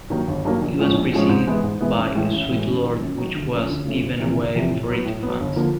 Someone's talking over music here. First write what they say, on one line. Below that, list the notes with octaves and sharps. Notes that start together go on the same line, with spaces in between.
It was preceded by "Sweet Lord" which was given away free to fans.
G2 D#3 F#3 A#3
G1
G2 D#3 F#3 A#3
A#1
A2 F3 G#3 C#4
A#1
A2 F3 G#3 C#4
G#2
E3 G#3 B3 E4
G#2
E3 G#3 B3 E4
A1
A2 E3 G#3
A1
A2 E3 G#3
F#2
D#3 F#3
F#2
D#3 F#3
D2
C#3 F3 A3 C#4
D2
C#3 F3 A3 C#4
G1
F2 C3 E3
G1
F2 C3 E3
A2
F#3 B3
A2
F#3 B3
G1
D3 F3 A#3